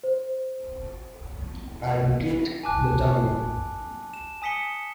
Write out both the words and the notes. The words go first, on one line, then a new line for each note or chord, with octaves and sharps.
I clicked the tongue.
C5
G#5 A5 D6 F#6
E7
G#5 D#6 B6 C#7 G7